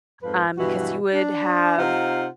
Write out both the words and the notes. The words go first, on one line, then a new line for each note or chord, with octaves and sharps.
um, because you would have
F2 G#2 F3 B4
G2 B2 E3 F#4
D4
C3 D#4 F4 C5 F#5